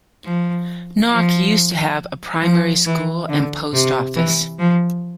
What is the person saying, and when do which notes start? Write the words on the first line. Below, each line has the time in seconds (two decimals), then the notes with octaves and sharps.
Knock used to have a primary school and post office.
0.25 F3
1.13 F3
2.42 F3
2.86 E3
3.29 D3
3.73 C3
4.16 E3
4.59 F3